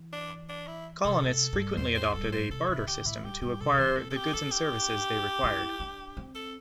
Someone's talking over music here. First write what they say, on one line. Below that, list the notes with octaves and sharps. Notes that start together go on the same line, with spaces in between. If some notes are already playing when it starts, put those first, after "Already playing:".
Colonists frequently adopted a barter system to acquire the goods and services they required.
Already playing: E3
D4
D4
E4
C3 A4
D3
C3
G2
E2 C5
C5
G2 A4
C5
C3 A4
C3 E4
D3 G4
A2 E4
G2 G4
G2 G4
C3 A4
D3
E3 C5
C4 A4
A4
G4
D4 A4
G4
E4
D4
C4
A4